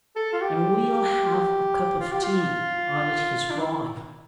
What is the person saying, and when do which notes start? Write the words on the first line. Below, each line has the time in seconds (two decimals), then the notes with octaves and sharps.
"And we'll have a cup of tea," added his wife.
0.16 A4
0.33 F4
0.41 G4
2.00 F4
2.11 G4
2.23 F4
3.50 D4
3.58 E4